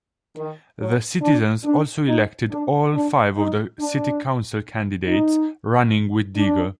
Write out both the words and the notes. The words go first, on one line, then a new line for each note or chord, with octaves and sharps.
The citizens also elected all five of the city council candidates running with Deger.
D#3
F#3
D4
D4
D#4
D4
D4
D#4
D4
D#4
D4